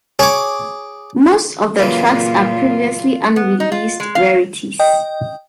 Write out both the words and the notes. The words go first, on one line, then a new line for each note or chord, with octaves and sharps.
Most of the tracks are previously unreleased rarities.
G#4 C#5 D6
F#2 A#2 C#3 E3 A#3 F4 B4
B3
D#4
F4
G#3
F5
D#5 G5